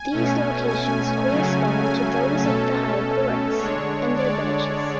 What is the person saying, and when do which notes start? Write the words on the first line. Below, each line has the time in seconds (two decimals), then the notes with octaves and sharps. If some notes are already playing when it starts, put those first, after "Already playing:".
These locations correspond to those of the High Courts and their branches.
Already playing: G#5
0.11 B2 A3 C#4
0.69 G#5
1.27 C#3 F#3 A3 C#4
1.84 G#5
2.42 B2 A3 C#4 A4
3.58 D3 G#3 D4 C#5
4.16 D5